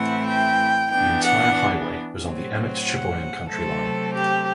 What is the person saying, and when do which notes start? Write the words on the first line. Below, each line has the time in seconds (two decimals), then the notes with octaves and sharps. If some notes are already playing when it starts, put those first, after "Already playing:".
The entire highway was on the Emmet-Cheboygan county line.
Already playing: A2 E3 A3 C4 E4 F#5
0.27 G5
0.92 E3 B3 D4 G5
1.24 F#5
2.21 A2 F#3 C4
2.85 F#5
3.49 C3 F#3 A3 C4 A4
4.14 G4